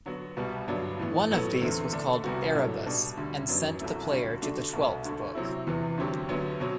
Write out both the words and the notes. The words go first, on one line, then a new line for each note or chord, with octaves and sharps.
One of these was called "Erebus" and sent the player to the twelfth book.
D3 F#3 B3 F#4
C2 B2 G3 B3
G2 D3 F#3 B3 D4
A2 E3 B3
A2 F#3 B3 F#4 A4
E2 D3 A3 C4
D3 A3 D4
C2 C3 G3 B3 F#4
A2 F#3 A3 D4
B2 G3 D4
D2 D3 G3
F#2 F#3 B3 D4
C2 C3 F#3 A3 E4
D3 G3 D4 F#4
D3 A3 D4 F#4
C2 B2 A3
D2 D3 A3
C3 F#3 C4 E4
E2 C3 E3 B3
D2 D3 F#3 C4 G4
D2 D3 F#3 B3
B2 F#3 C4